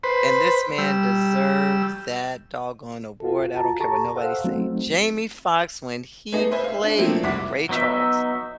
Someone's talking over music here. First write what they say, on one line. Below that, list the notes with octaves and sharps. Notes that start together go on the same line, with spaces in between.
And this man deserves that doggone award, I don't care what nobody say. Jamie Foxx when he played Ray Charles,
B4 C5
G3 E6
F4 F#4 A4
F4 F#4 A5 A#5
G4 A4 A5 A#5 C#6
A4 C5 F5 F#5 E6
F#3 A3 C4 D#4 F#4
A3 B3 D#4 G#4 D#5
B4 C5 E5 G#5
E5 F5
D4
F3 F#3 A3 A#3 C4 D4
F1 C2 E4 F#5 D6 B6
F#3 B3 D#4 E5